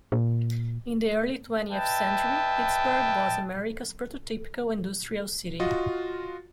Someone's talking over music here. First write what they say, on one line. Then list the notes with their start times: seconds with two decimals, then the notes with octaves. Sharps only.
In the early twentieth century Pittsburgh was America's prototypical industrial city.
0.12 A#2
1.71 B4 D#5 E5 G5 A5
5.60 F4 F#4 D#5